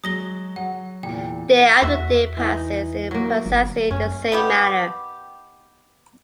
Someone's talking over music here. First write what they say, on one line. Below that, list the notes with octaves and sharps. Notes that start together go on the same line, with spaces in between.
Day after day passes in precisely the same manner.
F#3 G#3 D#6 A#6 G7
F#3 F#5
E2 A#2 G5
E2 F#4 E5
E3 D#4
F#3 A#3
G1
F#2 C#4
D#3 B3 G4